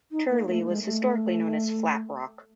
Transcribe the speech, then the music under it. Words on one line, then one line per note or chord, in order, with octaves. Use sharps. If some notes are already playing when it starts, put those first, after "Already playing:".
Turley was historically known as Flat Rock.
D#4
A#3
A3
G#3
A3